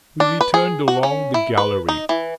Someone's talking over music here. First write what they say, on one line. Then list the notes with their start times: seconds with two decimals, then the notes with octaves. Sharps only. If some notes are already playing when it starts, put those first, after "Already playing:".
We returned along the gallery.
0.20 D4
0.41 B4
0.54 G#4
0.88 F#4
1.03 C#4
1.34 E4
1.57 B4
1.89 D#4
2.09 E3